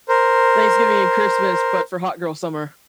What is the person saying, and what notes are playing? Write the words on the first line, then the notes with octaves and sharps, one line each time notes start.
Thanksgiving and Christmas, but for hot girl summer.
A#4 C5